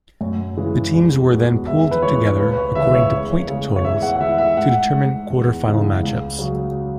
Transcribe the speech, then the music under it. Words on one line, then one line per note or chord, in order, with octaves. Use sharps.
The teams were then pooled together, according to point totals, to determine quarter-final match-ups.
F#2
C#3 E3 G#3
E2
B2 G#3
E2 E5
B4
E3 G#3 C#5
C#2 B4
B4
C#5
C#3 E3 E5
E5
C#5
E2
C#3 G#3
C#5
E2 E5
F#5
F#5
E3 G#3 E5
E5
G#2 F#5
G#3
E2
C#3 E3 G#3
C#2
C#3 F#3